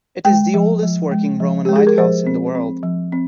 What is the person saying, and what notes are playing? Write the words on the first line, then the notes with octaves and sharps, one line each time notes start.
It is the oldest working Roman lighthouse in the world.
G#3 G5
F3
F3
G#3
F3
G#3 G4
G#4
A#4
F3 C5
C4
C4
F3
C4